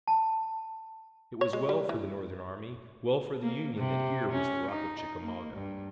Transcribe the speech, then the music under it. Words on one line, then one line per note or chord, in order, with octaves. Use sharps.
It was well for the Northern army, well for the Union that here was the Rock of Chickamauga.
A5
C#5
G#3
G3
E3
A#3
C3
C#4
D#4
A#3
G2